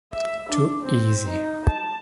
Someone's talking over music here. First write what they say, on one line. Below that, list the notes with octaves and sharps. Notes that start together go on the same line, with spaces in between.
Too easy.
E5
D4
C4
D#4
A5